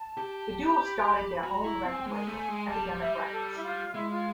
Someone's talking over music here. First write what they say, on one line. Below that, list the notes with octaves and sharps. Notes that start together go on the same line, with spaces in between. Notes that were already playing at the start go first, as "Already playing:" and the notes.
The duo started their own record label, Epidemic Records.
Already playing: A5
G4
B5
A#5
B5
B5
F#4 A#5
E4 A#5
C4
G#5
G5
G#3 G#5
A3
G#3
G3 A5
E5
D#5
A4
E4
F4
G#3 E4
F4